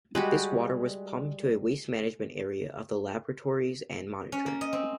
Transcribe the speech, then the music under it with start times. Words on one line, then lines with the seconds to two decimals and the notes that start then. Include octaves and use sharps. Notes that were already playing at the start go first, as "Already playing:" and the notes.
This water was pumped to a waste management area of the Laboratories and monitored.
0.15 G3 G#3 F#4 G4 B4
4.32 C#4
4.46 A#3
4.61 D#5
4.73 C4